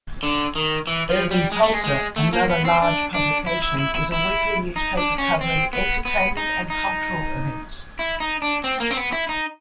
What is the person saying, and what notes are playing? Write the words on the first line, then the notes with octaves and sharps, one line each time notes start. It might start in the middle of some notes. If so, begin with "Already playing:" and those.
"Urban Tulsa", another large publication, is a weekly newspaper covering entertainment and cultural events.
D3
D#3
E3
F3
G3
G#3
A3
G#3
G#3
A3
A#3
B3
C4
D4
D4
E4
E4
E4
E4
E4
D#4
D4
C#4
C4
B3
B3
D#4
D#4
E4
D#4
D4
C4
A#3
C4
B3
E4
D#4